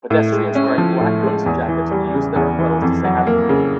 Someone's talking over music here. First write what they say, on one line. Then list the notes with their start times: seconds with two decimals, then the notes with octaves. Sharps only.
Pedestrians wearing black coats and jackets, use their umbrellas to stay out of the rain.
0.10 A2
0.32 G#3
0.55 C#4
0.78 F3
1.01 A2
1.23 G#3
1.46 E2
1.68 E3
1.91 G3
2.14 C#3
2.36 E2
2.59 E3
2.82 F2
3.05 F#3
3.27 A#3
3.49 C#3